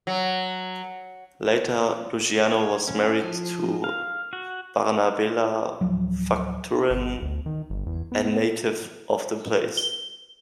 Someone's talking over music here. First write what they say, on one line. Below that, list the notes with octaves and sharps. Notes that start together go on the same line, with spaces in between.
Later, Luciano was married to Bernabela Facturan, a native of the place.
F#3
C#5
C#4
F3
F5
F#4
D1 G#1 F3 F#3
G1
D2
D#3
G1
E2
B3
G7